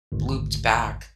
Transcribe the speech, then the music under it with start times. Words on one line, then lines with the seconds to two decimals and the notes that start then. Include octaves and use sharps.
looped back,
0.12 G#1 D2